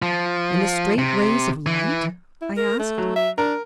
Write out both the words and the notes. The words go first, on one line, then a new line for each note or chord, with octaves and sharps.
"And the straight rays of light?" I asked.
F3
C3
E3
E4
A#4
A3
F#3
E5
D4 A#4